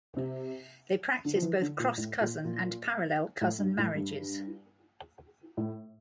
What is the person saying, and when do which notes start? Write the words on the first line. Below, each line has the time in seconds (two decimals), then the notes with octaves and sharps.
They practice both cross cousin and parallel cousin marriages.
0.17 C3
1.25 D3
1.35 F3
1.42 E3
1.61 D3
1.79 A#2
1.97 A2
2.21 A#2
2.44 A#2
3.41 A2
3.59 G2
3.78 A2
3.95 G2
5.57 A2